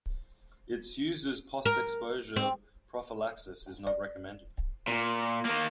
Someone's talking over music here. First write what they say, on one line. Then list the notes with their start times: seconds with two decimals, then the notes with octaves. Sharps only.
Its use as postexposure prophylaxis is not recommended.
1.65 A#4
2.36 C4
3.87 D5
4.87 A#2
5.45 D#3 A#3